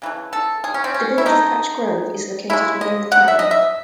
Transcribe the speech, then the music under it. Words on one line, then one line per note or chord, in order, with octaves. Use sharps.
The Village of Patch Grove is located within the town.
C#3 E3 A3
A4
G#4
C#4
C4
C#4
E4
D#3 A3 D#4
C#3 G#3 E4
D#5
F#5
E5
D#5
E5